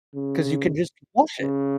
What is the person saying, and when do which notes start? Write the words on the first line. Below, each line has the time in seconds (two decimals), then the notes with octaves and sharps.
'Cause you can just wash it.
0.15 C#3
1.41 C#3